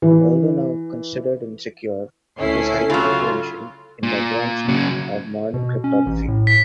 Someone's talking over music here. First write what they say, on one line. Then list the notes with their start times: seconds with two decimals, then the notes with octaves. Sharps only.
Although now considered insecure, it was highly influential in the advancement of modern cryptography.
0.02 E3
2.39 D2 C#4 E4 A4 C7
2.90 C#3 F#3 F4
4.03 A#2
4.68 C#3 F#3
5.54 B2
5.84 C#4
6.06 A1
6.28 A2
6.47 B6